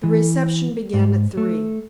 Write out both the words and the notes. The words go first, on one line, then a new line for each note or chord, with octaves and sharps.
The reception began at three.
E3
G#2
A3